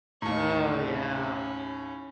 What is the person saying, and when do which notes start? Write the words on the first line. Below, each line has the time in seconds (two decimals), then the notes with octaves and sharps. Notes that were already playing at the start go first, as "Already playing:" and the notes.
Oh, yeah.
0.22 D#2 A2 C#6
0.86 C#4 B5